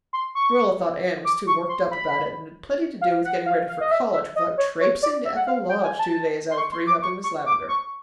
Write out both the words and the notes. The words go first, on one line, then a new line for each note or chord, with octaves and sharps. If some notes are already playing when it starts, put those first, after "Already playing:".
Marilla thought Anne was too worked up about it and had plenty to do with getting ready for college without "traipsing" to Echo Lodge two days out of three helping Miss Lavendar.
C6
C#6
D6
C#6
C6
B5
F5
F#5
F5
F5
D#5
E5
E5
D#5
C#5
C#5
D5
E5
F#5
F5
G5
G#5
A5
C6
C#6
C6
D6
C#6
C#6
D6
C#6